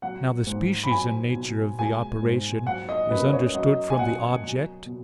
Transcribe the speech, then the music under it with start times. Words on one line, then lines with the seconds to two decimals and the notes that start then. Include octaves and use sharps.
Now the species and nature of the operation is understood from the object.
0.02 F#3 F#5
0.47 G#2
0.84 B5
0.90 F#3 G#5
1.35 B2
1.79 G#3 G#5
2.23 G#2
2.67 F#3 F#5
2.89 D#5
3.10 F#2 B4
3.33 C#5
3.54 F#3 D#5
3.90 G#5
3.99 B2 F#5
4.43 F#3
4.86 B2